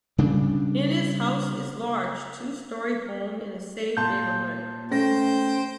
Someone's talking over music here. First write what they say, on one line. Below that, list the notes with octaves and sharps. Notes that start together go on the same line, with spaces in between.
Hina's house is a large, two story home in a safe neighborhood.
C#3 G3 D4
A#2 A5 C6 G6
A3 C#4 C5 G5 A#6